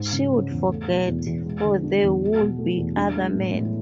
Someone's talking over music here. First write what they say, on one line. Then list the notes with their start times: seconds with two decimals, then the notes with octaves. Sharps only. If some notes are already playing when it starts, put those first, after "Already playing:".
She would forget, for there would be other men.
Already playing: G#2 G#3
0.13 C#3
0.32 C#4
0.51 E2
0.69 A3
0.88 B2
1.08 E2
1.26 E2
1.45 G#3
1.64 D3
1.83 D4
2.02 E2
2.21 F#3
2.40 B2
2.59 A3
2.78 E2
2.97 D4
3.16 G#3
3.34 A2
3.54 A2